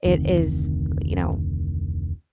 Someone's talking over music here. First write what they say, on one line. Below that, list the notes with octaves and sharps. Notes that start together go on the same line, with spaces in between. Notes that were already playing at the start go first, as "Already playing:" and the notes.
it is, you know
F1 D2 D#3 C4